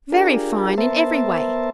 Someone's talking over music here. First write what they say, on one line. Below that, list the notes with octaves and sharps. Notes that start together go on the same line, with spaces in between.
'Very fine in every way.
D4 F4 G4 G#4 A#4
B3 A#4 C5 E5 A5